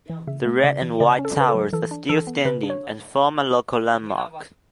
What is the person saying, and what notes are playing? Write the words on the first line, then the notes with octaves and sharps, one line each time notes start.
The red-and-white towers are still standing and form a local landmark.
E3
C#3 E5
A3
C#3 D5
E3
C#3 D5
C#4
A4
C#3 B4
A4
F#3
E3 A4
D4
E3 A4
B3
C#3 B4
D4
C#5